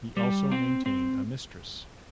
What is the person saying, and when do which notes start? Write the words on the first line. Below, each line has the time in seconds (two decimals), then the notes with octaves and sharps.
He also maintained a mistress.
0.17 G3
0.52 C4
0.86 C4